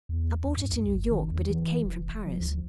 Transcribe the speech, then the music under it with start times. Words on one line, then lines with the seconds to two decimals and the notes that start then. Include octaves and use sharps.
I bought it in New York, but it came from Paris.
0.09 E2
0.44 D#2
0.57 G2
0.72 C2
0.93 G1
1.11 D#3
1.31 E2
1.50 E3
1.85 F1
2.26 F3
2.40 D2